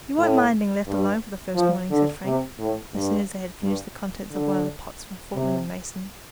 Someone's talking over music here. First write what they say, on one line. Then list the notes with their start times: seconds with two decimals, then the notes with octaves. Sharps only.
"You won't mind being left alone for the first morning?" said Frank, as soon as they had finished the contents of one of the pots from Fortnum and Mason.
0.18 A2
0.87 G2
1.56 F3
1.91 D3
2.25 C3
2.59 A2
2.94 G2
3.62 G2
4.32 D3
5.35 C3